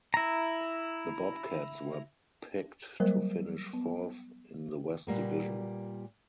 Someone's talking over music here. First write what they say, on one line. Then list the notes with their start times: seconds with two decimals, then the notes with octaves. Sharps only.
The Bobcats were picked to finish fourth in the West Division.
0.14 E4 A#5
3.00 F#3 G3 A#3 A#4 C5
3.73 B3
5.07 A#2 G3 A#3 B3